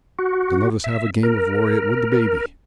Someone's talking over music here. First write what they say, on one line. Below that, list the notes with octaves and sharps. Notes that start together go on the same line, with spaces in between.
Then let us have a game of loriot with the baby!
F#4
E5
A#4